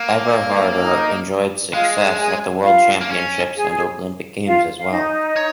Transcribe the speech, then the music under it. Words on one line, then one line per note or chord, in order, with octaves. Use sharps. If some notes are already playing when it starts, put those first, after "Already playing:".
Eberharter enjoyed success at the World Championships and Olympic Games as well.
Already playing: A#3
D#4 D#5
G#3 F4 F5
G#4 G#5
F4 F5
A#3
C#4
G#4 G#5
F4 F5
F5
D#4 D#5
C#5